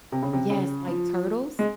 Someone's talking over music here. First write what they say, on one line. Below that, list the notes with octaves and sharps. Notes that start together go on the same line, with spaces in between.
Yes, like Turtles?
C3
C#3
C3
C#3
F3
G#3